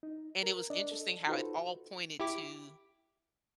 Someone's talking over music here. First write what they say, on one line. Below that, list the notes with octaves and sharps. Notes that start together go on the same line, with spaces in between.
and it was interesting how it all pointed to
D#4
A#4
D4 D5 D#5
A4
D#4 F4 F#4 A4 B4 C5
E4 G4 D6